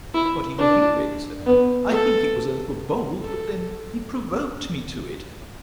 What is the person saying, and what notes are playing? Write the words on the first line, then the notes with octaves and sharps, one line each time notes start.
But he would hear it! said I: I think it was a little bold; but then he provoked me to it.
E4
D4
B3
A4
A4